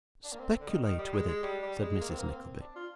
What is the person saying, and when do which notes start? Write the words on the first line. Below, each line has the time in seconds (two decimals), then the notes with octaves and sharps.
'Speculate with it,' said Mrs Nickleby.
0.24 D4
0.33 A#3
0.39 C4
0.60 D3
0.68 D#3
0.84 D#3
0.98 G3
1.13 G#3
1.28 G#3
1.43 G3
1.62 G3
1.82 G#3
2.01 A#3
2.10 C4
2.19 A#3
2.30 C4
2.60 D4
2.76 F4